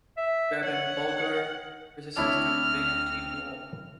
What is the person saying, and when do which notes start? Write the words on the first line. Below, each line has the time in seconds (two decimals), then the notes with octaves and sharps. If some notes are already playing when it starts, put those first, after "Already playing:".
There had been Bulgar resistance to Byantine rule.
0.17 E5
0.64 C#5 F#5
2.17 D2 C4 D4 E4 C#5 F6